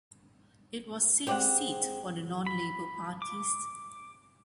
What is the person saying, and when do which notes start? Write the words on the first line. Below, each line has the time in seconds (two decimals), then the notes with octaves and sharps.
It was safe seat for the non-Labor parties.
1.27 G#3 C4 G4 D5 F#5
2.47 B5
3.22 D6